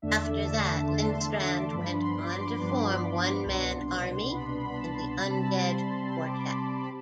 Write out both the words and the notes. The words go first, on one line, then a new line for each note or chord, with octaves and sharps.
After that, Lindstrand went on to form One Man Army and the Undead Quartet.
E2 D3 A3 D4 E5
A5
E2 D3 A3 D4 C6
D6
G2 F3 B3 D4 B5
C6
D6
C6
G2 F3 B3 D4
C2 B2 B3 D4
C2 B2 B3 D4 B5
B5
A5
C3 G3 C4 B5
A5
B5
C6
C3 G3 C4 C6
D6
C6
B5
B5